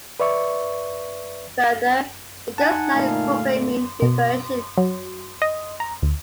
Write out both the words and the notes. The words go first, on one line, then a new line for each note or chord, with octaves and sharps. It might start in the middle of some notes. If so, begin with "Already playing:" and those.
Further, it does not incorporate mean reversion.
B4 D5 E5 C#6
D#4 F#5 G#5 A5
A#2 D3 A3 F5
B2
F#3
D#5
A#5
D2